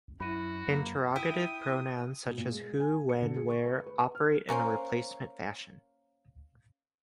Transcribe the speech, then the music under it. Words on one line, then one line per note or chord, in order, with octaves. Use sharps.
Interrogative pronouns such as who, when, where, operate in a replacement fashion.
F#2 E4 F#4 B5 D#7
F#2 A#3
E4 G5 D#6
B2
A#2
G#3
G#5
C#7
D3
G#4
C#6
B4
B4
F6
A#3 C#4 A#4 C5